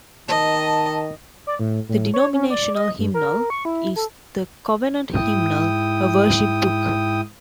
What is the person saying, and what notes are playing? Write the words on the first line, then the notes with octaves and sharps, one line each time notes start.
The denominational hymnal is "The Covenant Hymnal: A Worship Book".
D#3 D#5 A5
D5
A2
A2
C#5
C#4
D5
D#5
G2
A#4
C#6
E4
A4
G#2 E4 G5 D#6